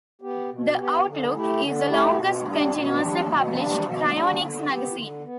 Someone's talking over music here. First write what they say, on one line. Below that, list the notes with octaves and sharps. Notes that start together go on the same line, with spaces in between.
"The Outlook" is the longest continuously published cryonics magazine.
B3 G4
B2
B3 G4
D3
A3 E4 G4
D3
A3 E4 G4
B2
G3 D4
B2
G3 D4
B2
G3 D4
B2
G3 D4
D3
B3 G4
D3
B3